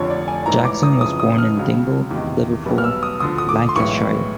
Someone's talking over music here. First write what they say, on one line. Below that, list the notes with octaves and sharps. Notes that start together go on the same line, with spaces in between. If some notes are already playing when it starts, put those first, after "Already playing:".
Jackson was born in Dingle, Liverpool, Lancashire.
Already playing: F1 F2 D3 F3 C#5
D5
G#5
A1 G#2 E3 A#5
D6
D#6
F2 C#3 E3 D#6
D#6
F6
C#2 C#3 F#3
E2 C3 D#3
B1 B2 G3 B3
F6
E6
D#6
D2 D3 F3 D#6
D#6
D6
C6
B1 A2 E3 G#3 C#6